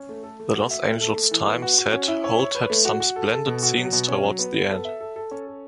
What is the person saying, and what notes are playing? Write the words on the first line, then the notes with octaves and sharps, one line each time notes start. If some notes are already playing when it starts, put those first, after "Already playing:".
The "Los Angeles Times" said Holt had "some splendid scenes towards the end".
Already playing: C#4
A3
A4
A3
F#4
E5
A3
A4
A3
E3
B3
F#4
F#4
C#4
E4
C#5
C#5
B4
A3
F#4
F#4
A4
A4
B2
F#4
F#3
B2
C#4
F#3
B3
B3
A4
E5
A4
A4
C#4
A4